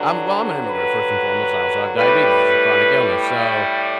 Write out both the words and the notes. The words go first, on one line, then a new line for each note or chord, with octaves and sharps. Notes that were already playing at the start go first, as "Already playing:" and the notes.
I'm well, I'm an immigrant first and foremost, I also have diabetes, which is a chronic illness, so
Already playing: G2 D3 F#3 D4
B4
A2 G3 B4